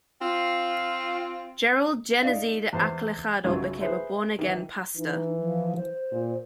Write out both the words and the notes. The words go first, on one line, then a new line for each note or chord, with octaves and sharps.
Gerald "Genezide" Acelajado became a Born-Again Pastor.
C4 F4
D#4 D5 F5
E2 C5 A5
B1 F#2 C#3 G3 F4
G#4 B4 C5 E5
D#3 E3
E3 D#4
F3
C5
A#2